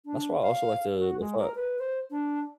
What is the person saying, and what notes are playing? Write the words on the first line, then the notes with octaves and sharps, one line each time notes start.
That's why I also like to to fi
D4
F5
F#4
G#3
A#4
B4
C5
D4